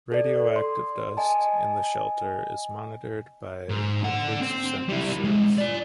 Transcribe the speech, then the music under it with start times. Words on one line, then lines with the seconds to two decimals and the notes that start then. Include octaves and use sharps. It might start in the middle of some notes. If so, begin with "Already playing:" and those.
Radioactive dust in the shelter is monitored by hundreds of sensors.
0.12 A4 D5
0.56 C6
1.17 D#5 G#5 A5
3.70 G#2
4.03 D3 F#5
4.41 C4 C5
4.89 G3 E4
5.24 G#3 D4
5.58 D5 G#5